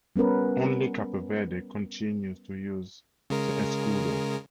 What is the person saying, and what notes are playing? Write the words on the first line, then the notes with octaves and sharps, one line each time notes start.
Only Cape Verde continues to use the escudo.
G3 B3 C#4 A#4 B4
C#3 G#3 A#4